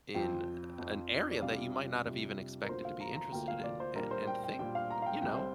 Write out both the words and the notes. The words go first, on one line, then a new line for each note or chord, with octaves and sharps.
in an area that you might not have even expected to be interested in and and think, you know,
F2 F3 C4 F4 G5
F2 F3 C4 F4
D5
C3 G3 D4 F4 F5
C3 G3 D4 F4
A#4
D2 D3 A#3 F4 C5
F5
A#5
A#5
D2 D3 A#3 F4 G5
F5
D5
C5
A#2 G3 D4 A#4
C5
G5
G5
A#2 G3 D4 G5
F5
A#5
F5
G5
C2 C3 G3 G5
C5